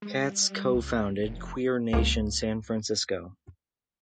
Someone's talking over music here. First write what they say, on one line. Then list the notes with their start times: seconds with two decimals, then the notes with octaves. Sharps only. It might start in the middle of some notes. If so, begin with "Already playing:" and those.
Katz co-founded Queer Nation San Francisco.
0.02 G#3
0.24 G3
0.74 C#2
1.23 F1
1.93 C#2 A#3